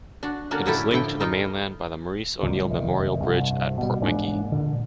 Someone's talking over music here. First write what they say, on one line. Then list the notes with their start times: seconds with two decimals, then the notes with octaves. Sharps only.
It is linked to the mainland by the Maurice O'Neill Memorial Bridge at Portmagee.
0.23 D4 F#4
0.51 D3 A#3 C#4 D4 F#4
0.66 A2 F#3 C#4 E4 G4 A4
0.91 D3 F3 E4 G5
1.20 D#4 F4 G5
2.43 C#2 A#2 G3
2.70 F1 D#3
3.20 C2 G2 C3
3.82 B2 G3
4.01 E1 G#2 A#3 D4
4.52 A#2 D3